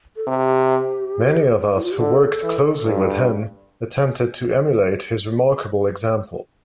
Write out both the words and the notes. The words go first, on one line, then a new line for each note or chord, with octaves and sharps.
Many of us who worked closely with him attempted to emulate his remarkable example.
A4
C3 G4
E4
F4
G4
D3 A4
E3
G2